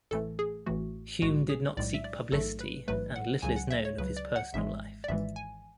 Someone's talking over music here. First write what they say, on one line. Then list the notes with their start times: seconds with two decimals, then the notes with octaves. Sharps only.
Hume did not seek publicity and little is known of his personal life.
0.11 A1 A2 E3 A3 A4
0.39 G#4
0.66 A1 A2 E3 A3 F#4
1.22 B1 A2 G#3 F#4
1.49 G#4
1.77 B1 A2 G#3 D5
1.94 E5
2.04 D5
2.32 A1 G#2 F#3 A3 A4
2.61 B4
2.88 A1 G#2 F#3 A3 B4
3.16 F#5
3.42 C#2 C#3 F#3 G#5
3.56 F#5
3.71 E5
3.85 C#5
3.98 C#2 C#3 F#3 B4
4.17 D5
4.36 F#5
4.54 G#1 G#2 E3 G#3 E5
5.04 D5
5.08 G#1 G#2 E3 G#3 E5
5.36 G#5